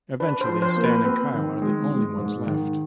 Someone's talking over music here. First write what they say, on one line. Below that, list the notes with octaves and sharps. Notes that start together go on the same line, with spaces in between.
Eventually, Stan and Kyle are the only ones left.
D4 B4
C5
F3
C5
A#3
B4
C4 B4
D#3
G#3
G#3
G#2
D#3